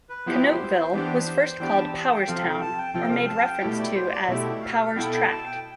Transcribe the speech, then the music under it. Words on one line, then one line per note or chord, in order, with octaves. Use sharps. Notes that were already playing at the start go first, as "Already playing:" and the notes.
Conneautville was first called "Powerstown" or made reference to as "Power's Tract".
B4
F3 B3 E4 G4 C5
E3 B3 D4 G4
E3 B3 D4 G4 G5
A5
A5
G5
C3 F3 C4 F4 A4 F5
G5
A5
G5
C3 F3 C4 F4 A4 G5
F5
A5
F5
G5
B2 A3 E4 G4
D5
C5
D5
B2 A3 E4 G4 E5
F5
B2 B3 E4 A4 G5
G5
A5
G5